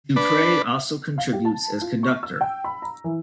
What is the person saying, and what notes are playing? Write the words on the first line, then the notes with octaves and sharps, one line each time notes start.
Du Prez also contributes as conductor.
D4 B4
F5
G4
A5
F4
C#6
E6
G5
B5
A#5
E3